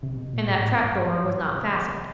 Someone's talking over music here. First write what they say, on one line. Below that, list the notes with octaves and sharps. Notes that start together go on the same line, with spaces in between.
And that trap-door was not fastened.
C3
B2
A#2
A2
G#2
A2
G2
G#2
C3